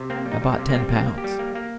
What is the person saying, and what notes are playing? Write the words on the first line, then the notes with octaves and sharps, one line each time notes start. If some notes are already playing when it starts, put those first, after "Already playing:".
I bought ten pounds.
Already playing: C3
A#3 C4
G3
D#4
G3
A#3
C3
A#3
G3 C4
A#3
C4
A#3
G4
G3
A#3
A#3